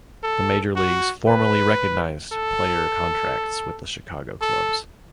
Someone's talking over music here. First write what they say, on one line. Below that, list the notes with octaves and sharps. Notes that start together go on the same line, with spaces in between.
The major leagues formally recognized player contracts with the Chicago clubs.
A4
F#4
B4
A4
A4